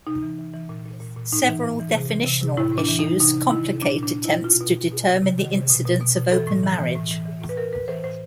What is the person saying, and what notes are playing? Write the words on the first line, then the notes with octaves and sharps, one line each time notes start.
Several definitional issues complicate attempts to determine the incidence of open marriage.
C3 D#4
E3
E3
E3
A#2
A#2
A#2
A#2
A2 D#4
E3
A2
E3
C3
E3
C3
C3
A2 E4
A2
D4
E3
E3 D#4
C3 D#4
C3
D#3 E4
C3
A#2 D4
A#2 D4
A#2
A#2 E4
B2 F4
B2
B2
B2
C3
C3
D#3
C3
B2
B2
B2
B2
E3 A4
A2
E3
E3
A2
E3
E3
A2
B4
E3 A#4
A2 B4
E3 C5
A2 C5